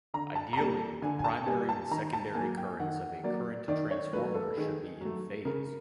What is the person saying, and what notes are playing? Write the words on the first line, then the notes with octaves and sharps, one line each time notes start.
Ideally, the primary and secondary currents of a current transformer should be in phase.
D3 A#5
A5
A#5
G3 A#3 A5
D3 G#5
G#5
A5
G3 A#3 G#5
A5
D#3 A#5
A5
A#3 G#5
F#3
G5
D#3 F#5
F#3 A#3 D5
D#3 D5
C#5
F#3 A3 B4
A4
D#3 G#4
F#3 A3
C#3 A#4